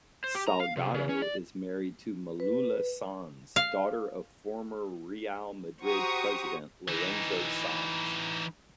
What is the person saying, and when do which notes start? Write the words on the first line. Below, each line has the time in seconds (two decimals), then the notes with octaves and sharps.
Salgado is married to Malula Sanz, daughter of former Real Madrid president Lorenzo Sanz.
0.24 C5
0.35 G4
0.47 A#5
0.60 F5
0.77 C3
0.94 C#3
1.09 C#4
1.22 D5
2.40 B4
3.56 F5
5.84 F#4 G4 C5 A#5 C#6 D#6
6.88 E3 D#4